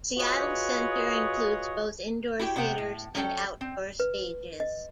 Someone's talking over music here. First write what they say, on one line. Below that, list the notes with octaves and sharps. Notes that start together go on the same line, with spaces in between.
Seattle Center includes both indoor theaters and outdoor stages.
F4 F#4 G#4 B4 C#5 D#5
E4 F#4 G4 G5
C3 B3 C5 F#5 G5
A2
F#3 C#4 A4 C#5 G5
C4
B4
D#5